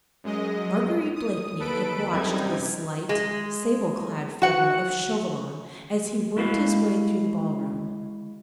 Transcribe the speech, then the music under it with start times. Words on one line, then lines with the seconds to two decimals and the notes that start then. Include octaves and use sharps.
Marguerite Blakeney had watched the slight sable-clad figure of Chauvelin, as he worked his way through the ball-room.
0.24 F#2 G#3 D#5
1.16 D#6
1.59 D#2 A4 B4 B5 D7
2.11 F#2 C3 G3 D#4 G#6
3.09 G#3
4.42 F#4 F#5
6.37 G#3 E4 F#4 F5